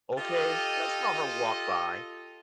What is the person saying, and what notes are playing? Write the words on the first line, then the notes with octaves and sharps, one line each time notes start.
okay, that's not her walk by
F4 G4 A4 D#5